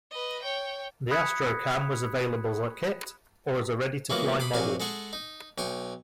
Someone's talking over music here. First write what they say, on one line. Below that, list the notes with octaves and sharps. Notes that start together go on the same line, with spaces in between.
The Astrocam was available as kit, or as ready-to-fly model.
B4 D#5
C#5 G5
B5 D#6 F#6 G#6 B6 C#7
E3 F#3 G#3 A#3 B3 F4
B5 C6 D6
A#1 C3 F#3 F5 G#5 A#5
G#3 G#4 A4 F#5 C#6
D#4
B1 G5 G#5 C#6